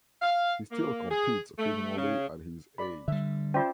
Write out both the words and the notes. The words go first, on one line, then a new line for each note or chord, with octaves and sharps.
He still competes occasionally at his age.
F5
A#3
G#4
A3
C#3
D5 B5
D3 G3 E5
C#4 F4 C5 D5 E5